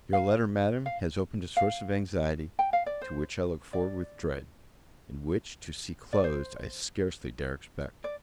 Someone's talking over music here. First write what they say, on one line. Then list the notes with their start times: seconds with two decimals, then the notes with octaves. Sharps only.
YOUR letter, Madam, has opened a source of anxiety, to which I look forward with dread, and which, to see closed, I scarcely dare expect.
0.13 F5
0.86 F5
1.57 F5
2.59 G5
2.73 F5
2.86 D5
3.02 C5
3.73 D5
6.13 D5
6.24 C5
8.04 D5